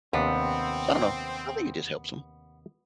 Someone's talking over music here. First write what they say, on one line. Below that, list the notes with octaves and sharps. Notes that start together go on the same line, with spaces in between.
So I dunno. I think it just helps 'em.
D#2 C3 B3 C4 D4